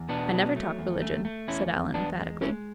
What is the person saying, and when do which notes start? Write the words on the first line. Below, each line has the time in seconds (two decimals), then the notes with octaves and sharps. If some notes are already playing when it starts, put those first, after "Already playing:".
"I never talk religion," said Alan emphatically.
Already playing: E2
0.09 B2 B3 D4
0.32 F#3
0.56 A3
0.79 E2
1.01 A3
1.25 A3
1.48 E2 C#4 E4
1.72 E2
1.94 E2 B3 D4
2.17 G#3
2.41 G#3 C#4 E4